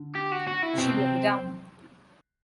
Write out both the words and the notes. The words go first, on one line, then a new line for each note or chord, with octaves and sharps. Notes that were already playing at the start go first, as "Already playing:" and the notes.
She'll be down.
Already playing: D3
G4
F#4
F#4
E4
C3
B2 C4
C3